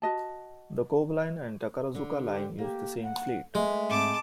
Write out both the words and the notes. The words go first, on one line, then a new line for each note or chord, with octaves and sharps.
The Kobe Line and Takarazuka Line use the same fleet.
F#4 D#5 A5
D3
G4
A#3 G4
F#5
G#3 A3 B3 E5
G#2 C4 A5 D6